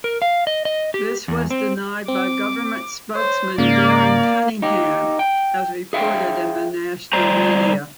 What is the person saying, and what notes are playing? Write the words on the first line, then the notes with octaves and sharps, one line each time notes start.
This was denied by government spokesman Darren Cunningham, as reported in the national media.
A#4
F5
D#5
D#5
G4
E2
C4
C4 D6
C5 C#5
G#2 C#3 A#3 D5
D#4 G4
G5
G#4 E5 F5 G5
G3 C5 A#5